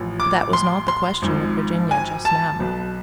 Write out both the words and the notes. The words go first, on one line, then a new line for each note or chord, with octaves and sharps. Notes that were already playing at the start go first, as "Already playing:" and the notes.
But that was not the question with Virginia just now.
Already playing: A1 A2 F3
D6
C6
C6
G#1 G#2 F3
G#5
A5
B1 B2